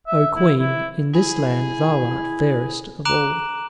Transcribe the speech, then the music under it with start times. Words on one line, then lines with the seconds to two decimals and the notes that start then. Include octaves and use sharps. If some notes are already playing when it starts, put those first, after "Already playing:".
"O Queen, in this land thou art fairest of all."
0.07 E5
0.36 E4
0.59 E4
1.15 E4 G#4
3.05 A#5 D6 F#6 D7 E7 F#7